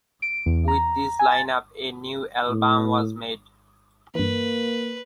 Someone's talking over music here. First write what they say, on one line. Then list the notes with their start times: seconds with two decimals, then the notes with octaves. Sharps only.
With this lineup, a new album was made.
0.22 D7
0.46 E2
0.68 A#5
1.19 G#5
1.31 A6
2.50 A2
4.15 G2 E3 A#3 B4